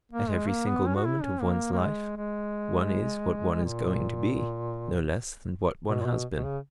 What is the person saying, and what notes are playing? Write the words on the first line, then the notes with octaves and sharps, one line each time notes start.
At every single moment of one's life one is what one is going to be no less than what one has been.
A#3
G#3
A#3
B3
C#4
F#4
E4
C#4
A#3
A#3
G#3
G#3
A#2
B2
A#2
B2
B2
C#3